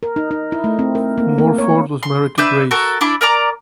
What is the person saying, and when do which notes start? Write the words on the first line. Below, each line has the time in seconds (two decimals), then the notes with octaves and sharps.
Morford was married to Grace.
0.03 A#4
0.16 D#4
0.31 D#4
0.52 E4
0.64 A3
0.79 C4
0.95 A#4
1.18 A#3
1.38 A#3
1.58 C#5
2.03 C6
2.38 D4 B4 E5 G6
2.71 F#4 A4 A#4
3.01 D4 E4 D6
3.21 A#4 D5 A#5 D6